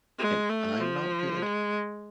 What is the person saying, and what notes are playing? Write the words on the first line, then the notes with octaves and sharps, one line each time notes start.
and I'm not good
G#3
A3
F3
G#3